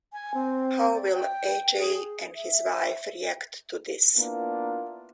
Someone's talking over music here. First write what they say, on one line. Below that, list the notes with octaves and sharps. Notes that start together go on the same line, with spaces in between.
How will Ajay and his wife react to this?
G#5
C4
D5
G5
G#4
E5
A#3 B3 D4 E4 F4